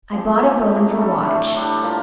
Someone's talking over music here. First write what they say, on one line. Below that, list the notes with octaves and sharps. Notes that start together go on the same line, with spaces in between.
"I bought a bone for Watch."
F3 C4 G4
F3 C4 G4
A2 A3 D#4 G4
G3 D4 A4
A2 A3 D4 G4
A2 G3 D4 G4
F3 A#3 F4